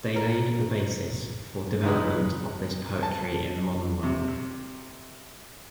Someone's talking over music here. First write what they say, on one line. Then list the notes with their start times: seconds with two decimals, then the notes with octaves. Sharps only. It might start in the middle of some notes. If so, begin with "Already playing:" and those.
They laid the basis for development of this poetry in the modern world.
0.16 A#4
1.83 C#2 G#3 D#4 B4
3.03 A5
4.03 C3